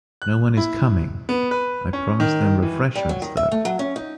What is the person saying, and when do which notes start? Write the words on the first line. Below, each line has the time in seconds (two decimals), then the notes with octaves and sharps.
No one is coming! I promised them refreshments, though.
0.22 F#6
0.57 E4
1.29 B3
1.51 B4
1.93 C#4
2.20 D#3
2.62 E3
2.95 G3
3.09 F#3
3.22 D#3
3.37 E5
3.52 A3
3.65 F#3
3.79 C#4
3.96 D#4